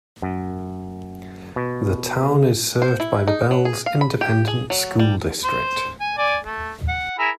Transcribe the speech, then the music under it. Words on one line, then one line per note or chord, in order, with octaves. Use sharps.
The town is served by the Bells Independent School District.
F#2
B2
C#3
C5
E4
D#4
F#3
G#4
F5
B5
G4
G#4
F#3
G3
C5
G#5
D5 G#5
A3
F#5
E4 G#4 A#4